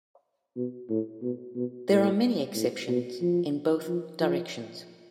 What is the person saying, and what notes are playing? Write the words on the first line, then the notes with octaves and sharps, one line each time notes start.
There are many exceptions in both directions.
B2
A2
B2
B2
A2
A2
B2
F3
F3
F3